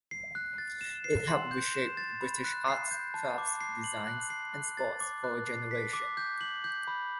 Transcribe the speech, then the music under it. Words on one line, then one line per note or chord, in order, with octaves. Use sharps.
It helped reshape British arts, crafts, designs and sports for a generation.
C7
F#6
A6
E7
C7
C6
G6
E7
A6
B5
F#6
C7
G6
A5
D6
C7
F#7
F#6
C7
F#6
A6
D6
F#6
C7
B6
D6
G6
F#7
G6
B5